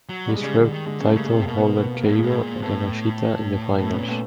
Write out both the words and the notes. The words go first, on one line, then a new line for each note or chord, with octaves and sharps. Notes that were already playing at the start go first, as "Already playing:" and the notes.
He swept title holder Keigo Yamashita in the finals.
F#3
G3
G#3
C#3 G3
D3
D#3
D3 G#3
C#3 A#3
G3 A3
C#3
G#3 A#3
C3
B2 A#3
B3
A#3
B3
A#3
A2 B3
A2 G#3 A#3
A#2
C4
A2 A3 B3
A2 A3 B3
B3 C#4
A#2
A3 B3